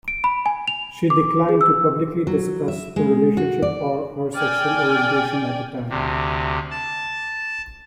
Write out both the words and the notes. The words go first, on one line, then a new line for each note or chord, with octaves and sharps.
She declined to publicly discuss the relationship or her sexual orientation at the time.
D7
B5
G#5
F7
D6
G#4
E6
F#3
E5
G#3
F#4
D5
D5 G5 G#5 F6
D2 C3
A5